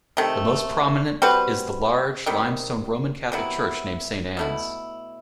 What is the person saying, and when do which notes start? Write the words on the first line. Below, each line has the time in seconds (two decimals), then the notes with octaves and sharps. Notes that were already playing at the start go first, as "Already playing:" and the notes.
The most prominent is the large limestone Roman Catholic church named Saint Anne's.
0.17 C3 D#3 A3
1.22 G3 C4 F#4 B4
2.26 C3 D#3 G3
3.32 C3 F#3 B3 E4
4.37 B2 A3 E4